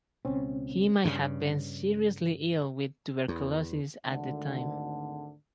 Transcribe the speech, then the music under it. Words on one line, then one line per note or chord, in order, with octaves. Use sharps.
He may have been seriously ill with tuberculosis at the time.
C#2 B2 C4 C#4
G2 C#3
E2
G#1 D2 D3